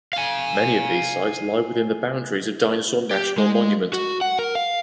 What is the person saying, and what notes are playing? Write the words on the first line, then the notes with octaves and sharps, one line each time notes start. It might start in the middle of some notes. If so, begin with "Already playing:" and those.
Many of these sites lie within the boundaries of Dinosaur National Monument.
F5 G#5
G4
G#3
F#4
F#5
A#4
F5